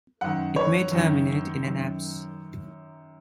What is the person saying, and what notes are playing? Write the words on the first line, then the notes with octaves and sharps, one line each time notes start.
It may terminate in an apse.
F#2 D#3 F#5
C#5
F#2 D#3
F#2 D#3